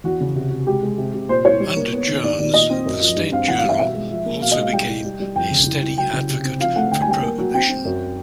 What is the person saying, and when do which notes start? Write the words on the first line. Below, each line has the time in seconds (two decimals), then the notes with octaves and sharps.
Under Jones the "State Journal" also became a steady advocate for Prohibition.
0.04 E2 F#4
0.20 C#3
0.36 C3
0.52 C3
0.67 G#3 G4
0.83 G#3
0.98 C3
1.14 C3
1.29 A#2 C5
1.45 C2 C#5
1.60 G3
1.76 A#3
1.92 B3
2.07 D#3
2.23 D#2 D5
2.39 D#2 D5
2.54 A#2 D#5
2.70 C4
2.86 F#2
3.01 F3
3.16 G2
3.32 C4 F5
3.48 E3 F#5
3.58 F5
3.64 G3
3.69 E5
3.79 B2 E5
3.94 G#3
4.11 F3
4.26 A#3
4.42 B2 F5
4.52 D#5
4.58 G#3 F5
4.73 G3 G5
4.88 C2
5.05 G3
5.20 G3
5.36 F2 G5
5.51 C#3
5.66 C2
5.82 C2
5.97 F#3 G5
6.13 C#3
6.29 C3
6.44 C4
6.60 F3 F5
6.76 A3 F#5
6.91 D2 G5
7.01 G#5
7.07 G3 G5
7.22 A#3
7.38 F#3
7.54 C4 G5
7.69 C4
7.85 F#2